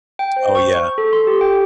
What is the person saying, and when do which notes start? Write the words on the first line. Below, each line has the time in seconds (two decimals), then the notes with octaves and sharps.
Oh, yeah.
0.19 G5
0.36 C5
0.55 C#6
0.79 G6
0.98 A4
1.13 C6
1.27 G4
1.41 G5